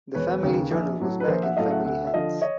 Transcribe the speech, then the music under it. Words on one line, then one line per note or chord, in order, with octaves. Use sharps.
The family journal was back in family hands.
E1 B4 C#5
D#2 C#3
A#1
A2 F#3 A3
B4
A#1 A#4 C5
E5 F#5
A2 F#3 A3 D#5 F5
E5 F#5
D2 E5 F#5
E5
D3 F3 D#5 F5
C#5 D#5